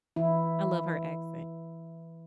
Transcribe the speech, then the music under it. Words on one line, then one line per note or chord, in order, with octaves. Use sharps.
I love her accent.
E3 E4